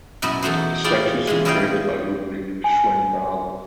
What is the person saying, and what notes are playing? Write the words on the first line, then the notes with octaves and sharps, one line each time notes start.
The statues were created by Ludwig Schwanthaler.
F#2 B2 E4 D#5
E2 A3 D#4 F#4 C5
E4 F4 G4 G#4 D5 G5
C#3 E3 G#3
G3 E4 C#5 D#5 F5 G5
G#5